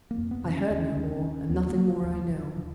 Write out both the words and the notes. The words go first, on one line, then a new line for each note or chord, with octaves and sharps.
I heard no more, and nothing more I know.
A#3
F2
B3
C#3
C#4
D#2 C#4
D#2
C#4
D#2
D#2 B3
A#3
C#3
F#3
D#2
F3
D#2 F3
C#3 F3